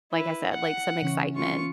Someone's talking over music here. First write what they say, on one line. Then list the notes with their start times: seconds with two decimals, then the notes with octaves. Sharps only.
like I said, like, some excitement
0.12 E4 B4
0.51 F#5
1.02 C#3 E3 C#4
1.35 F4 C#6